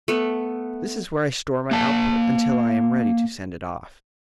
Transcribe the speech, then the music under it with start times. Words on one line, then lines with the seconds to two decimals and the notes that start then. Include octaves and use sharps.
This is where I store my output until I am ready to send it off.
0.08 A3 B3
1.71 A#3 A5